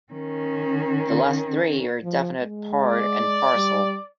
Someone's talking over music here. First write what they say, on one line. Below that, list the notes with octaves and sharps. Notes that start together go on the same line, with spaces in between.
The last three are definite part and parcel.
D#3 C#4
F3
G#3
D5
G3